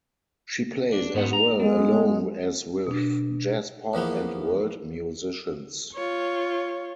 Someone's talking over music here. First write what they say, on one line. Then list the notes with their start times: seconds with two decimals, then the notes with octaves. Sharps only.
She plays as well alone as with jazz, pop, and world musicians.
0.92 D4
1.14 G#2 B3 F#5
1.33 A#5
1.60 G#3 B3
2.87 B2 D4
3.93 E2 F3 A#3 B3
5.94 F4 C#5